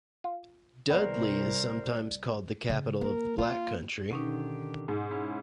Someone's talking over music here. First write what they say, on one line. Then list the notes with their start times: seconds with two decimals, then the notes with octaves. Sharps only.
Dudley is sometimes called the capital of the Black Country.
0.24 F4
0.90 C2 B3 A#4 C5 D5
2.70 C#3
3.01 A#3 A#4
3.38 A#3 F4
4.11 B2 D3 D#3 C#4 D#4 G4
4.88 G#2 G#3
5.11 C#4 E4